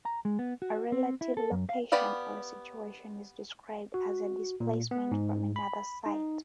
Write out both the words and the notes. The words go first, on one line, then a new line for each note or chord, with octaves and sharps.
A relative location, or situation, is described as a displacement from another site.
A#5
G#3
B3
F#4
C4
E4
A4
F#2
F5
B3 G4 B4 D5 F5
F#4
A#2
B3
G#2
B5
D#4